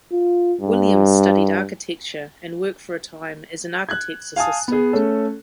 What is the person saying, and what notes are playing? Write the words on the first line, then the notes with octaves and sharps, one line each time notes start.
Williams studied architecture and worked for a time as an architect's assistant.
F4
G2
F#6 G#6
F5 G#5 A5 D#6
B3 G#4
A3 C#4 A4